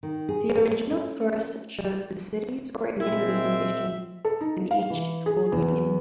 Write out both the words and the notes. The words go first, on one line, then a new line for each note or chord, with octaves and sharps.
The original source shows the cities or Indian Reservations in each School Union.
D#3
G#4
A4
C#4
A#2 G#3 C4 E4 E5
A4
D#4
F5
E3
G#4
E2